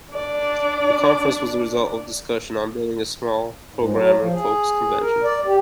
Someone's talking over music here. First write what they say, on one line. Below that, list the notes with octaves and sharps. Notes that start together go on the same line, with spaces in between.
The conference was the result of discussion on building a small, programmer-focused convention.
D4 D5
G#2
F#3
F3
G#4
A#4
D5
G4